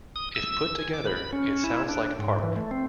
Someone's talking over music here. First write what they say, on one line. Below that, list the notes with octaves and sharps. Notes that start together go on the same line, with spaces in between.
If put together, it sounds like park.
D#6
E6
G#5
D6
B5
C#4
E4
D4
G#2
E3
A3
C4